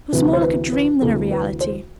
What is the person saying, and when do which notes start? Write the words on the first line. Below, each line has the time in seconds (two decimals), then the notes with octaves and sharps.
It was more like a dream than a reality.
0.13 D2 C3 E3 B4
0.33 C5
0.42 B4
0.72 B4
1.01 D2 C3 E3 A4
1.31 B4
1.61 C5